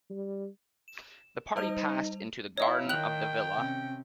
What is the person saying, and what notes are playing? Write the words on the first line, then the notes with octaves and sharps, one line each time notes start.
The party passed into the garden of the villa.
G3
E7
G3 D#4 C5 F7
D#4 E4 C#5 D#5 F5
D#3 G5 F#6 F7 F#7
C3 C#4